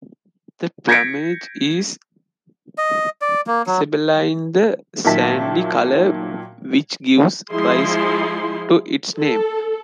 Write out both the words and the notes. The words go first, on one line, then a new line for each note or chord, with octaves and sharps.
The plumage is isabelline, the sandy colour which gives rise to its name.
G6 G#6 A#6 B6 C#7 D7
D#5
D5
A#3
F#3
A#2 D#3 F#3 E5 A5 B6
F3 G#3 E4 G#4 C6
A4